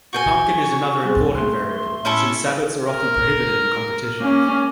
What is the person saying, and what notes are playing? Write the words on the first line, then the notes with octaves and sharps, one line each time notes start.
The pumpkin is another important variable since sabots are often prohibited in competitions.
F#4 G5 G#5 C#6
G3 C4 G#4 C5
A3 G#4 C6
A2 C#4 E4 A4
A#4
A#3 C#4